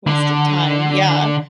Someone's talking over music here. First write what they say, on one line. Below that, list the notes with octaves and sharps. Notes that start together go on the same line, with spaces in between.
wasted time yeah
D3